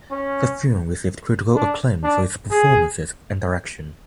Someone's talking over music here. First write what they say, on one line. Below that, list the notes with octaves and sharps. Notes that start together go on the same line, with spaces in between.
The film received critical acclaim for its performances and direction.
C#4
D4
D4
G#4